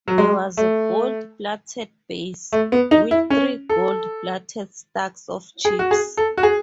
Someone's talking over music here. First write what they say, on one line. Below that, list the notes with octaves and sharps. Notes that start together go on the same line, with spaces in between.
There was a gold plated base with three gold-plated stacks of chips.
F#3
G#3
A3
A3
B3
D#4
E4
C#4
A4
G#4
F#4
G#4
A4
F#4
G#4